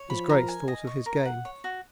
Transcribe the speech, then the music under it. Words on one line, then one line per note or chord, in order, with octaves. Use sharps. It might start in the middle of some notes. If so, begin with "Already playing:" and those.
His Grace thought of his game.
Already playing: C#5
F3 B5
A#4
G#5
D#5
C#6
A#4
F#5
C#5
F#4